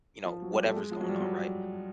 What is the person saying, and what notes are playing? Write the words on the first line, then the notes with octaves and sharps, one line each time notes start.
you know, whatever's going on, right?
F3
F#3
G3
A3
G#3
F3
F#3
G3
F#3